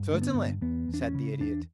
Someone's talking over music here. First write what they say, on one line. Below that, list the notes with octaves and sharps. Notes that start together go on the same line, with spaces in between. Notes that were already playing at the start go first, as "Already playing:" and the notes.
"Certainly," said the Idiot.
Already playing: G2
D3
A3
B3
G2
E2 B3
E2
D4
C#4
C#3
E2 D4